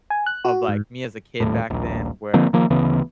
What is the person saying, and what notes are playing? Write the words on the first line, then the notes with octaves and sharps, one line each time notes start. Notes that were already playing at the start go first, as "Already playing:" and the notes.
of, like, me as a kid back then where
G#5
F#6
F#4
G#2
D#1 A2
D#1 A#1
D3 F3 A#3 C4
D#3 F3 A#3
D2 C#3 E3 B3